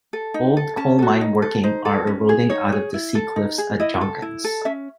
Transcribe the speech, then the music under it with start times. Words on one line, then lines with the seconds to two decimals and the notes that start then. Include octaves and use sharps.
Old coal mine working are eroding out of the sea-cliffs at Joggins.
0.13 A4
0.34 D#4
0.57 A4
0.77 C#4 A5
0.99 F#4 A4
1.21 D#4
1.42 A4
1.64 D#4 C5
1.85 A4
2.07 C#4
2.29 G#4
2.50 D#4 C#5
2.72 G#4
2.94 E4
3.15 A4
3.36 D#4
3.58 G#4
3.80 E4 D#5
4.01 A4
4.22 E4
4.44 A4
4.65 C#4 E5